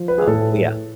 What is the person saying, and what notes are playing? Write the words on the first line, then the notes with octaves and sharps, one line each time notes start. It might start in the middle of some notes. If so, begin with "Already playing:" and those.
um, but yeah,
Already playing: F3
B4
G#4
A2 A4